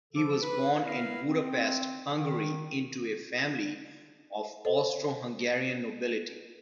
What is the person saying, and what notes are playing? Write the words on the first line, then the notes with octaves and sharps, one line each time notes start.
He was born in Budapest, Hungary into a family of Austro-Hungarian nobility.
C#3 F3 A4 D6
B4
B3 E4 A#4 B4 F5
C4
D#3
A4 C5